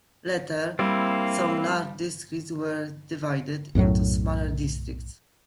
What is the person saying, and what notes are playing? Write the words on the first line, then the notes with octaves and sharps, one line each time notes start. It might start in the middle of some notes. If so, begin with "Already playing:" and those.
Later, some large districts were divided into smaller districts.
G3 A#3 C4 E4
B1 F#2 A2 F#3